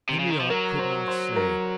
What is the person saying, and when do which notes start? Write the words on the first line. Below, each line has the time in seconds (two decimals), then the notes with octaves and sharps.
Henriot could not say.
0.09 C3
0.19 C#3
0.30 D#3
0.40 F3
0.50 F#3 A#4
0.79 C5
1.08 C5
1.36 A#4